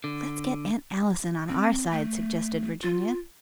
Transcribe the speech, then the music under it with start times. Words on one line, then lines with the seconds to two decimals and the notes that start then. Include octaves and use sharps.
"Let's get Aunt Allison on our side," suggested Virginia.
0.04 D3
1.49 C4
1.91 A3
2.82 F4